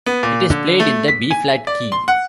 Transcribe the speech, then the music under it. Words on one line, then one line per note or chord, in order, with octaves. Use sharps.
It is played in the B flat key.
B3
A#2
D3
A3
B6
G#5
D5
C6
F#5